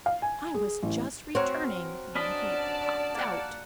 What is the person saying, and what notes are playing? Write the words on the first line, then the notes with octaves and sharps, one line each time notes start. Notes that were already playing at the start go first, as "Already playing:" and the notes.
I was just returning when he popped out.
F5
G#5
G#4
A1
C4 F#4 A#4 C#5
C#4 D4 D5 D#5 A5 B5
A#3 F#5